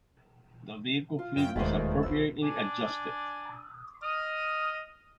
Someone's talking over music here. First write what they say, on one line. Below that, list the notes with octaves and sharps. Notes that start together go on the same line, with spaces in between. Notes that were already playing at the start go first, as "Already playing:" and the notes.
The vehicle fleet was appropriately adjusted.
F4
F#2 G5
E1 D#2 D#3 G#3 A3 B4 C5
B1 E6
D4 G#5
D#5 D#6 F6